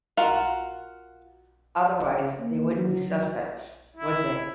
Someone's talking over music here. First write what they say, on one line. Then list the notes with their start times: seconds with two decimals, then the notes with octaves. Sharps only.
Otherwise, they wouldn't be suspects, would they?
0.17 F4 F#4 A#4 F5
2.39 A#3
2.77 F#3
3.96 E4